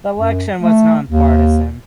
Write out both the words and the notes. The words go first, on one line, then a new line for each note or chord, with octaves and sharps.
The election was nonpartisan.
F#2
A3
D#2